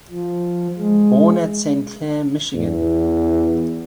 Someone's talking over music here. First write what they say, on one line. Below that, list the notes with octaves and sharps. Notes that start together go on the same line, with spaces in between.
Born at Saint Clair, Michigan.
F3
G#3
E2